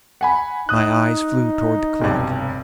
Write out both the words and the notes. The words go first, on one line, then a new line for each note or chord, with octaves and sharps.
My eyes flew toward the clock.
F#5 G#5 B5
D#4 D#6 F#6
F1 B1 G2